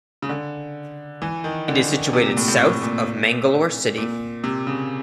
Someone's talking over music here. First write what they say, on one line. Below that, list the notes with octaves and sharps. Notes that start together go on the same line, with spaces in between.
It is situated south of Mangalore city.
C#3
D3
E3
D#3
D3
C3
A#2
A2
A2
A2
A#2
A#2
C3
C#3